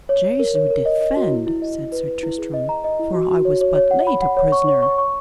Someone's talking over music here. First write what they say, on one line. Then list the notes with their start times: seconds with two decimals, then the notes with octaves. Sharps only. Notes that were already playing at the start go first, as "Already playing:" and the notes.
Jesu defend! said Sir Tristram, for I was but late a prisoner.
0.09 C#5
0.24 C#5
0.39 A#4
0.55 C#5
0.71 A#4
0.85 D#5
1.01 D#5
1.16 F#4
1.31 E4
1.47 E4
1.62 D#5
1.77 E4
1.92 B4
2.08 B4
2.23 E4
2.38 G#4
2.54 D#5
2.69 A#5
2.84 D#5
3.00 E4
3.15 F#4
3.30 F#4
3.45 C#5
3.61 C#5
3.76 C#5
3.91 F#5
4.07 B5
4.22 F#5
4.37 C#5
4.52 C#6
4.68 C#5
4.82 C#6
4.98 C#6